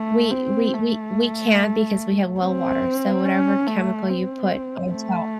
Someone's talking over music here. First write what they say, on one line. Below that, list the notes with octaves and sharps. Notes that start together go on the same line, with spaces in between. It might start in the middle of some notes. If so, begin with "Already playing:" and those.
We we we we can't because we have well water, so whatever chemical you put on top
Already playing: A3
C4
A3
C4
C#4
A3
C4
A3